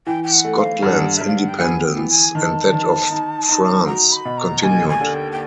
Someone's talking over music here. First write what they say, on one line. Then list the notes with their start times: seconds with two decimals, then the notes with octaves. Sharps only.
Scotland's independence and that of France continued.
0.06 E3 G5
0.23 G5
0.32 F#5
0.44 A3
0.58 F5
0.83 G2 F#5
1.16 E5
1.21 G2
1.27 F5
1.37 F#5
1.48 G5
1.58 B3 G#5
1.84 G5
1.97 E3
2.09 G#5
2.35 D#3 A5
2.72 D#3
3.11 D#4
3.49 D#4
3.86 F#4 A#5
4.12 B5
4.25 B2
4.37 A#5
4.63 D#2 G#5
4.88 G#5
5.01 D3
5.14 G5
5.31 G5